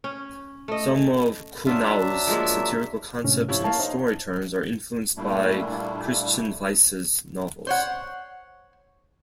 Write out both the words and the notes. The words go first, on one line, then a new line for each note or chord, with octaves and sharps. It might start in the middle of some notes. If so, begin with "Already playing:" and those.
Some of Kuhnau's satirical concepts and story turns are influenced by Christian Weise's novels.
C#4
A3 D#5
F#3 D4 F4 E5
F3 G#3 A#3
A2 C3 C#4
G#2 F3 E4 G4 C#5
A#3 C#5 F5 A5
D#4 C5
A#2 G3 A3 A#3 D4 E4
C5 C#5 F#5